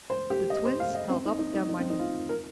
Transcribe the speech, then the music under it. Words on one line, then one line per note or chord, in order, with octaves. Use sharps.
The Twins held up their money.
C5
G4
D#5
C5
F5
D#5
C4
D#4
D#4
D#4
D#4
C4
D#4
F4
A#4